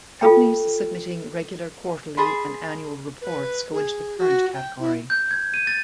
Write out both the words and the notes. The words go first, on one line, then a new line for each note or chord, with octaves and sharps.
Companies submitting regular Quarterly and Annual Reports go into the Current category.
F4 A4 G5
G#4 A5 B5 C6
B4
G#4
F#4
G5
E4
G6
G#6
D#7
A6